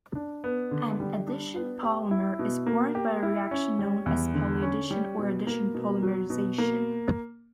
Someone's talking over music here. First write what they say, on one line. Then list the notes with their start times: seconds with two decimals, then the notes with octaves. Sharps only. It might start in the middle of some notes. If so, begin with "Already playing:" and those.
An addition polymer is formed by a reaction known as polyaddition or addition polymerization.
0.15 D4
0.44 B3
0.71 D3
1.00 G3
1.27 D4
1.56 B3
1.83 G4
2.11 E4
2.39 B2
2.66 A#3
2.95 G4
3.23 E4
3.51 C#4
3.79 G3
4.06 E2
4.34 D3
4.62 C#4
4.91 G3
5.19 B2
5.47 A#3
5.75 B2
6.02 F#3
6.30 B2
6.58 A#3